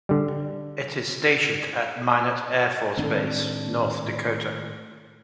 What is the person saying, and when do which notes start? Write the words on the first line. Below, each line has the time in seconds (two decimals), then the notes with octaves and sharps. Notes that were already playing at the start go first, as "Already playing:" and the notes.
It is stationed at Minot Air Force Base, North Dakota.
0.09 D3 G3
2.97 A2 D#3 G#3 C4 D4 D#4 A4